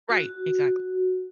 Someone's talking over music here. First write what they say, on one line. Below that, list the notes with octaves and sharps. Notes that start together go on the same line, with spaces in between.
Right. Exactly.
F#4